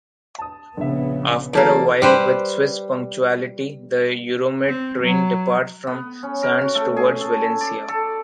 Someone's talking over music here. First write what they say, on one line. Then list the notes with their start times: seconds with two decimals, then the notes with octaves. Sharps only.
After a while, with Swiss punctuality, the Euromed train departs from Sants towards Valencia.
0.39 A5 D#6
0.77 A#1 C#3 B3 E5
1.53 E3 F#3 A#3 A4 D5 B6
2.02 G3 B4 C5
4.66 C4
5.03 F#3
5.87 B3
6.23 C#4
6.43 A#4
6.61 F#4
6.75 A3
6.97 G#4
7.21 A4
7.61 D5
7.89 A4